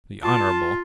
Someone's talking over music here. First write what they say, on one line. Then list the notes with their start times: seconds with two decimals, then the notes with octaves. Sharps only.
The Hon.
0.24 F4 A5